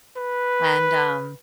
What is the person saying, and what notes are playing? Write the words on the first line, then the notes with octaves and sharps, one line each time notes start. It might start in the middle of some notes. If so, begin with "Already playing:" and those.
And, um
B4